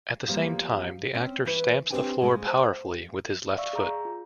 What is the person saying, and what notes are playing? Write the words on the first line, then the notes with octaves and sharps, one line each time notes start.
At the same time, the actor stamps the floor powerfully with his left foot.
E2 F3 G3 A#3
C4 C#4
E3 B4
C4 D4 G4 B4 G5 G#5
G#2 G#3 A3
C5
D5 E5 F5 C#6 E6
G#4 A#5 G6
F4